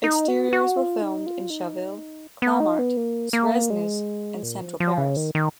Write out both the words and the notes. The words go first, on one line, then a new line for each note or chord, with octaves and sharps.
Exteriors were filmed in Chaville, Clamart, Suresnes, and central Paris.
D#4
F#4
F#4
F4
D#4
F4
D#4
B3
D#4
B3
A#3
A#3
G#3
A#2
F3
F3
C#3
D#3
D#3